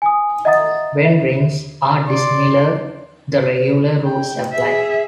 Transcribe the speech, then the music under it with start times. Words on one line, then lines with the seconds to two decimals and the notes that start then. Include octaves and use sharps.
When rings are dissimilar the regular rules apply.
0.02 G#5 D#6
0.45 D#5 E5 F#5 A#5 D#6 A6
1.05 E5
2.08 D5 C6
4.04 G5
4.52 G#4 E5